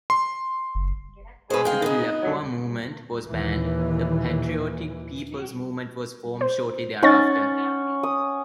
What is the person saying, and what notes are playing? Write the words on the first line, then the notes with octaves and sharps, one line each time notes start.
After the Lapua Movement was banned, the Patriotic People's Movement was formed shortly thereafter.
C6
F#1
G#3 G#4 B4 C5
F5 G5
B3 D#4
D#2 F#3
D#2 A#2 D#3 E3
C5
C#4 D#4 F#5 C#6 A6
D#6